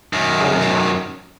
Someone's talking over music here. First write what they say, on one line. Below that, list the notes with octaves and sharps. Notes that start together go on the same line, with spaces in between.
I'm not shocked."
F#2 D#3